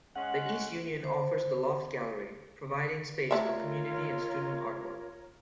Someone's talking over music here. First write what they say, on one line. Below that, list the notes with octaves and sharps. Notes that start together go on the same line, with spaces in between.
The East Union offers the Loft Gallery, providing space for community and student artwork.
G#3 C#4 F#5
C5
A3 F4 A#4 C#5 D5 E5